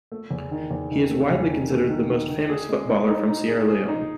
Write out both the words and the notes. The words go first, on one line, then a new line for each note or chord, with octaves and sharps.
He is widely considered the most famous footballer from Sierra Leone.
A3
E2
D#3
E2
D#3
A3
E2
D#3
A3
D#3
D#3
D#3
G#4
G#3
G#3
D#4
D#4
G#4
G#4
D#4